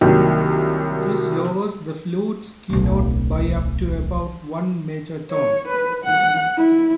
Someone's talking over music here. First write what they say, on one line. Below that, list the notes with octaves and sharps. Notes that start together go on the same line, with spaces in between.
This lowers the flute's keynote by up to about one major tone.
C2 D#3 F#3 A#3
D1 B1
C#5
B4
F#5
E4